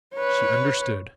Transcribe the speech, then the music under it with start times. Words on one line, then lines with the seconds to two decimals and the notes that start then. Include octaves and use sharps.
She understood!
0.15 B4 C#5